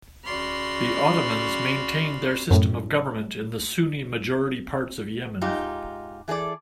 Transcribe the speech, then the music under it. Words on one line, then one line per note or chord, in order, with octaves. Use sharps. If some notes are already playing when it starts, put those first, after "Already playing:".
The Ottomans maintained their system of government in the Sunni-majority parts of Yemen.
C#3 F#4 D5 B5 C6 F6
F#2 A2
G#2 D#4 F4 G4
E3 G#4 A4 D5